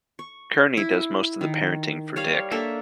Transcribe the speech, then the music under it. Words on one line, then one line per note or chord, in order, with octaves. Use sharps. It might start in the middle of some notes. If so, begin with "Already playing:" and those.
Kearney does most of the parenting for Dick.
C#6
E4
D#3
G3 C#5 D5 F5
A#3 D4 A4 E5